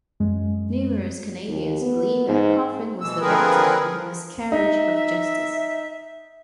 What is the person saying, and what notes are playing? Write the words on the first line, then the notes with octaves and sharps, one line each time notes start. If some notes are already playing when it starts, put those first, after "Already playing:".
Numerous Canadians believe that Coffin was the victim of a miscarriage of justice.
F#2 G#3
D#2
B3
G#2
B2 E3 E6
D3 F3 C4 G#4 A#4 B4
F3
D#4 E5